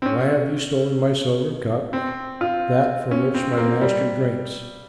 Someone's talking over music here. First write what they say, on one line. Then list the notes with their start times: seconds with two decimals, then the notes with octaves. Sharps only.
Why have you stolen my silver cup, that from which my master drinks?
0.02 C4
0.06 C#4
1.93 C4
2.41 F4
3.11 C#4
3.34 C4
3.53 C4
3.58 A#3
3.81 G3